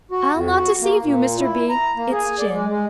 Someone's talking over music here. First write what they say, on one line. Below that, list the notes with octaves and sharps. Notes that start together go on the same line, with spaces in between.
I'll not deceive you, Mr. B. It's gin.'
F#4
F2
F#4
A#3
A#2
E4
A#5
A#3
G#4
D5
G#3
G#3